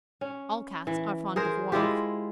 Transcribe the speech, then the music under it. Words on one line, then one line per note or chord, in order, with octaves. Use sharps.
All Cats are fond of warmth.
C#4
E3
G#4 A#4 C5
G#3 E4 F4 G4